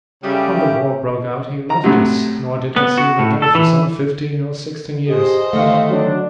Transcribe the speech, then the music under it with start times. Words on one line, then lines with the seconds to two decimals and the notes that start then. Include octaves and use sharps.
When the war broke out he left us, nor did I see him again for some fifteen or sixteen years.
0.23 C#3 F#3 G3 A3 G4 E5 D#6
1.70 A#5
1.84 A2 C3 F#3
2.76 B3
2.98 F#4
3.19 A2
3.42 A4
3.55 E3
5.09 G4 G#4 C5 D#5
5.53 G1 D3 D#3 A3 F5
5.91 F#3 D4